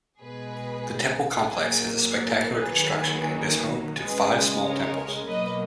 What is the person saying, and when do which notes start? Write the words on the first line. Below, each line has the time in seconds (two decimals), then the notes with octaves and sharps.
The temple complex has a spectacular construction and is home to five small temples.
0.21 B2 G#3 G#4 B4
1.47 A#2 F#3 A#3 G#4
2.11 G#4
2.42 G#4 B4
2.74 D#3 F#3 A#3
4.00 C#3 G#3 G#4 B4
4.64 A#4 C#5
5.27 B2 F#3 A#3 B4 D#5